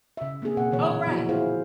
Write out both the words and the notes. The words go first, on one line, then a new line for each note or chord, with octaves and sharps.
Oh, right.
C#3 E5
A#3 C4 D4 G#4
B2 A#3 F#5
A#2 D3 E3 C#5
F3 F#3 B3 E4 F#4
E4 F4 G#4 C5 F5